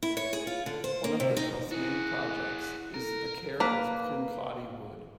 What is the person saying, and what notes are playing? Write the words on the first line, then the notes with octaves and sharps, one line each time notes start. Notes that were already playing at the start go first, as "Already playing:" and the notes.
One of the trust's main projects is the care of Kincladie Wood.
E4
C#5
G#4
F4
D3
C5
A#3
C3
D#4
E4 F#4 G#4 F#6
A4 A#4
A#3 B4